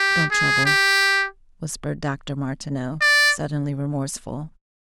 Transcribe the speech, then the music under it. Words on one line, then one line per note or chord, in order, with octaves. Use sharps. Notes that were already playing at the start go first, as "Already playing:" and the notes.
"Don't trouble," whispered Dr. Martineau, suddenly remorseful.
Already playing: G4
G#4
G4
D5